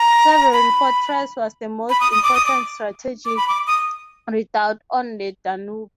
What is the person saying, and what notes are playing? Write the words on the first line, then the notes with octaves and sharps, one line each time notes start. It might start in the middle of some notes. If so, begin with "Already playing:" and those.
Severin fortress was the most important strategic redoubt on the Danube.
Already playing: A#5
B5
B5
D#6
D#6
D6
D#6
D6
D6
B5
D6
D#6